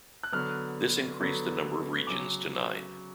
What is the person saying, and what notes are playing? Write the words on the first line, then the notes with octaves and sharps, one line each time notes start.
This increased the number of regions to nine.
F#6
D3 F#3 B3 F6
D3 F#3 B3
C#3 F#3 D6